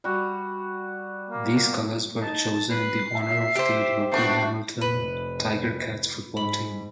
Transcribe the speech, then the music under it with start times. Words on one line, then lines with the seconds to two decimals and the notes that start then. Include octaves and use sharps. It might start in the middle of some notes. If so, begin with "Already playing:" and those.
These colours were chosen in honour of the local Hamilton Tiger-Cats football team.
0.04 G3 F#4
1.31 A#3
2.20 D#4 A5
2.70 B4 C7
3.16 E5
3.55 G4 C5
4.12 A3 B3 D4 F#4 C7
4.81 F1 B4
6.37 G#2 B5